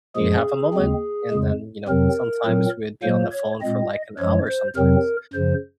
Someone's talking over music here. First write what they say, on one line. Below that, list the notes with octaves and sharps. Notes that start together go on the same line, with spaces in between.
Do you have a moment?" And then, you know, sometimes we'd be on the phone for, like, an hour sometimes.
F#2 F3 G#3 G#4
D#2 C#3 G#3 C4
F2 C#3 G#3
F2 C3 F#3 C4 A#4
A#2 F#3 C4
A#2 F#3 A#3 C5
C#5
A#2 G#3 C4 D#5
F#2 F3 G#3 C#5
C5
F2 C3 F#3 C4 A#4
F#2 C#3 F3 C5